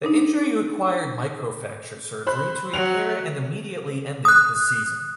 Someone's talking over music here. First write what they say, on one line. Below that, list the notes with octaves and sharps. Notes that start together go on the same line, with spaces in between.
The injury required microfracture surgery to repair and immediately ended his season.
D4 D#4
C5 B5 F#6
F#3 F7
D#6 F#6